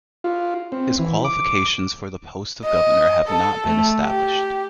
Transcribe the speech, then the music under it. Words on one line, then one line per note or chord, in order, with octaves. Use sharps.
His qualifications for the post of Governor have not been established.
F4
C4
E3
D6
D#5
A4
A3
G4